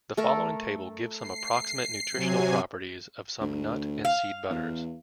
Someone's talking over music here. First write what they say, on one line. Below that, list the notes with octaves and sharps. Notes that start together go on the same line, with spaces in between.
The following table gives some approximate nutritional properties of some nut and seed butters.
A3 A4 A#4
C7
C3 F#3 G#5
D2
F5
E2